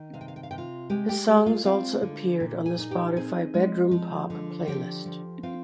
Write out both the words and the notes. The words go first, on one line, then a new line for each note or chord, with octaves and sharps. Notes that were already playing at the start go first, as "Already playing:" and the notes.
His songs also appeared on the Spotify "Bedroom Pop" playlist.
Already playing: D#3
C3 F5
G5
F5
G5
F5
C3 G5
F4 F5
G#3 G4 G5
G4 G5
G#3 G4 G5
F4 F5
C4 F4 F5
D3
A#2
G#4 G#5
D#4
G4 G5
C4 G#4 G#5
G#3
F3
D3
F3 G4 G5
F3
C4 F4 F5